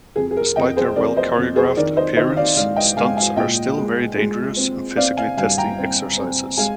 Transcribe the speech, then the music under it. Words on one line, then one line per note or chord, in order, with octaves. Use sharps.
Despite their well-choreographed appearance, stunts are still very dangerous and physically testing exercises.
F2 G#4
G#4
A#4
F2 D#5 G5
G#4 C5
F2 A#4 D5
C5 D#5
F2
G#4 C5
D#3 A#4 D5
C5 D#5
D#3 C5 D#5
D5 F5
G#2 D5 F5
D#5 G5
G#2 F5 G#5
F5 G#5
A#2 D#5 G5
G#3
G#3
C4
C4 D5 F5
F5 G#5
G2 F5 G#5
G5 A#5
C4
C4
G#3 F5 G#5